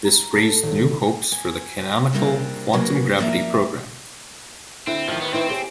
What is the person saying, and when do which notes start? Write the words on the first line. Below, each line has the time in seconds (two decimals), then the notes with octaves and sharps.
This raised new hopes for the canonical quantum gravity programme.
0.04 A#5
0.32 A4
0.63 D#1
1.32 G#5
2.13 C3 G3 A#3 C4 D4 F4
2.73 C#3 F#3 A#3 B3 D4
3.18 F3 A#3 D5 E5 A#5
4.87 D3 C4 E4
5.08 A1 D#3 F3
5.21 B3
5.33 C4 D#4 E4 B4
5.50 G4 G#4 C#5